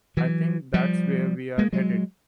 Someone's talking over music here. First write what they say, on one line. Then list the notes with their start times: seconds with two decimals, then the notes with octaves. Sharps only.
I think that's where we're headed.
0.17 E3 F#3
0.74 F3 G3
1.58 G#3 A#3
1.73 F#3 G#3